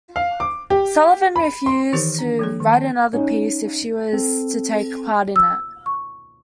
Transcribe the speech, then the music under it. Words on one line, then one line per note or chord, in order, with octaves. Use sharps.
Sullivan refused to write another piece if she was to take part in it.
F5
D6
G4
B5
C6
D#3 E3 D#4 G4 A#4 C5
D4
F3 A#3 A4
D#3
A5
C#4 D#4
C4 A4
E6
C#6